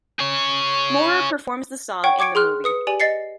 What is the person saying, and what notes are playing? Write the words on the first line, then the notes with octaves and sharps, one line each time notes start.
Moorer performs the song in the movie.
G#4 C#5
C#5 F#5 G5 C#6
C#6 D6 G#6 C#7 D7
G#4 C6 F6 F#6
B4 D#6 C#7
G4 D5 G#5 F#7
D#5 A6 C7 C#7